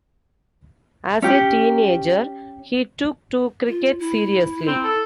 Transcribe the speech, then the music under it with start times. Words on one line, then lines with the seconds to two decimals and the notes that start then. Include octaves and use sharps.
As a teenager, he took to cricket seriously.
1.22 C#4 G4
3.67 F4
3.99 E4
4.67 C4
4.83 A4